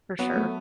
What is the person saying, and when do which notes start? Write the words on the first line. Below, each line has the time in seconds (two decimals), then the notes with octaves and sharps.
for sure.
0.19 F#3 B3
0.36 A3